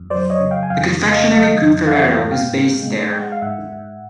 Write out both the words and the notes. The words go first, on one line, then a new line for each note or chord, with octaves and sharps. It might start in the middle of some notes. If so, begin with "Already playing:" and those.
The confectionery group Ferrero is based there.
Already playing: F2
F#3 C5 D5
C#5 D#5
C#3
F5 G5
G#5
F2 F5 G5
C#3
D#5 F5
F#3 D#5 F5
F2
F5
E3 E5 F#5
F5 G5
G#2
F5 G5
G#2
G#3
G#3 G5
F#5
F5
G#2 E5 F#5
G#2